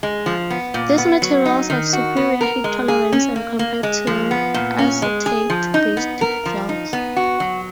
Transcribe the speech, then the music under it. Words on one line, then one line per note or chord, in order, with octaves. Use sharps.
These materials have superior heat tolerance when compared to acetate-based gels.
G#3
F3
B3
A#2
B3
F#3
D#4
D#3
F#4
B3
A#4
G#3
G#4
C#4
A#3
A#3
G#3
F3
B3
A#2
C#4
G#3
G#4
F3
D#4
B3
A#4
F3
D#4
B3
F#4
F#3